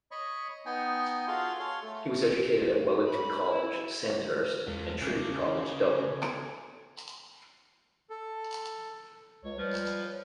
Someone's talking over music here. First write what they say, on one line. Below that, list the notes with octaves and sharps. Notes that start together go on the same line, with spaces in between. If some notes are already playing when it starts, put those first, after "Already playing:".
He was educated at Wellington College, Sandhurst and Trinity College, Dublin.
C#5 D#5 B5 C#6
B3 D#4 D#5 G5 G#5
F4 F#4 G#4 A4 F5 C6
A4 C#5 F5 C6
A3 A4
B5
E4
E2 G#3 F4 A4
C#3 A4 G#5 D6
A4
C#2 C#5
F3 G3 B4 C#5